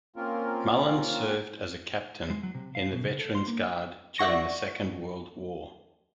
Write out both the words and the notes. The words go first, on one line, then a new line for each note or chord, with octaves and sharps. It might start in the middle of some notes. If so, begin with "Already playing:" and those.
Mullin served as a captain in the Veterans Guard during the Second World War.
A#3 C4 C#4 F4 A#4
G#3
F#3
C3
F5
B2
C#3
A4
C6
A#3
D5 E5 F#5 C#6 A#6